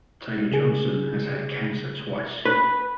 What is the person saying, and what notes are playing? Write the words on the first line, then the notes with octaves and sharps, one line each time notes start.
Taylor-Johnson has had cancer twice.
C#3 G#4
B4